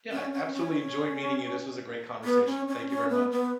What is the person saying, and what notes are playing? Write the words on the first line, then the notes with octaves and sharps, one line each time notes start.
Yeah, I absolutely enjoyed meeting you, this was a great conversation. Thank you very much.
C#4
C#4
C#4
B3
C#4
C#4
C#4
B3
B3